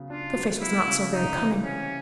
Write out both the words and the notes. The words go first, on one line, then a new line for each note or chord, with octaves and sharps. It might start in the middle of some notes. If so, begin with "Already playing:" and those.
The face was not so very cunning.
Already playing: C#3 F#3 B3
D4 F4
F#3
B3 E4
C#3
C3 D#4
E3
G3 C#4